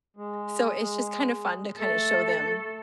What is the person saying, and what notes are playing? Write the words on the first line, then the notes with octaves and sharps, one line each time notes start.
so, it's just kind of fun to kind of show them,
G#3
G#3
A3 A4